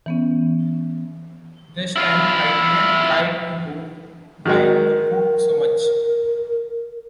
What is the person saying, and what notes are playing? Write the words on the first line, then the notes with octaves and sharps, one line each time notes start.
This time I didn't try to go by the book so much.
E3 B3 C#4
E4 F4
D#3 F#3 G#3 A#4